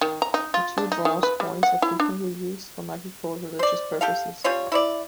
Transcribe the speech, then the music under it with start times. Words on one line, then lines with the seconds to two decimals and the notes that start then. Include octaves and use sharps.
The two bronze coins are frequently used for magico-religious purposes.
0.01 D#3
0.22 A#5
0.34 D#4
0.54 F4
0.78 D4
0.92 D#4
1.05 D#3
1.23 B4
1.40 G3
1.63 F#5
1.82 E4
2.00 D4
3.59 C5 D5
4.01 G4 A4 F5
4.44 G3 C#4 F4 C#5
4.72 E4 C#5 D5